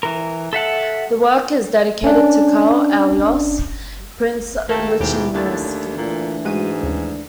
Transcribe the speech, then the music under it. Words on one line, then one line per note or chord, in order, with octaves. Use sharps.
The work is dedicated to Karl Alois, Prince Lichnowsky.
E3 A#4
A4 E5 F#5 A5
C#4 D4
D#2 A3 A#3 A4 A#4 G5
D#2 G#2 B2 E4 G4
D#2 D3 A3 A6
A#2 E3
G#2 G#3 F#4 D#7
D#2 C#3